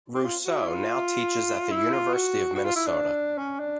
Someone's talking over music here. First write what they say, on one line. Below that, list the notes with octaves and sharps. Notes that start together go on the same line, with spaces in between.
Rousseau now teaches at the University of Minnesota.
C4
F4
F#4
E4
F4
E4
F4
F#4
F#4
F4
E4
D4
C#4
D4